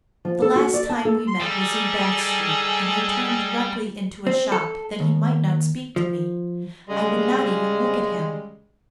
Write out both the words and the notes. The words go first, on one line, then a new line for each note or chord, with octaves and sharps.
The last time we met was in Bath Street, and I turned directly into a shop that he might not speak to me; I would not even look at him.
F3
A4
F#4
D5
A5
A4
C6
G3 D#4 G#4 A4
C4
A4
D#2
F3
C#3 G3 G#3